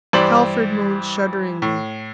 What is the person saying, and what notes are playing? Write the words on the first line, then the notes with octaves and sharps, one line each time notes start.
Telford moaned shudderingly.
G2 E3 G4 C5 D5 F#7
A2